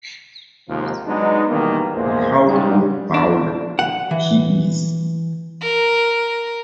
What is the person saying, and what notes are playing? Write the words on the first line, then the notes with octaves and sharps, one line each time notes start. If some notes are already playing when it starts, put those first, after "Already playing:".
How good bowler he is?
D#2 G#2 C3 F3
F#3 G#3 B3 D4 D#4
B2 D#3 E3 G3 A#3
A#1 E2 A#2 G#3 A#3 C5
G#2 C#3 G3
D4
F#5
E3
A#4